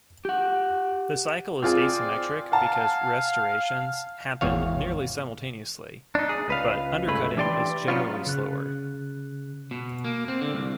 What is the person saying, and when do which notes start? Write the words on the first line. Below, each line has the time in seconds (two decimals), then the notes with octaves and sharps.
The cycle is asymmetric because restorations happen nearly simultaneously, but undercutting is generally slower.
0.25 G4 F#5
1.63 C4 F4 G#4 D5
2.52 F5 F#5 G#5 A5
4.41 G#1 E2 C#5 F5
6.15 D4 D#4
6.29 G#4
6.48 C#2 B4 F5
7.08 C#2 G2 A3 G#4 B4 B5
7.37 E3 D4 G4 D5 G5 C6
7.88 F#3 A#3 B3 C#4 F4
8.27 C#3 F#6
9.71 B2
10.04 A#3
10.28 C4
10.41 D3
10.54 C2